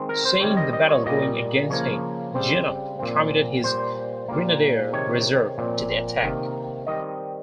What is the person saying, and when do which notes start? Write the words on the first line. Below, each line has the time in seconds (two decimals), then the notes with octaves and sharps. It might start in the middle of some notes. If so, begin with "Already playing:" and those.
Seeing the battle going against him, Junot committed his grenadier reserve to the attack.
Already playing: D#3 G#3 C4
0.09 A#4
0.25 C5
0.41 D#3 G3 C4 C#5
0.57 D#5
0.73 D#5
0.89 C#5
1.06 A#2 G3 A#3 D#5
1.70 C#3 F3 A#3 C#5
2.34 C#3 G3 C4 C5
2.99 A#2 F3 C4
3.64 A#2 G3 A#3 C5
4.28 A#2 G3 A#3
4.93 C3 D#3 G#3 C#5
5.58 A#2 F3 C4
6.23 C3 D#3 A#3
6.87 D#3 G3 C4 D#5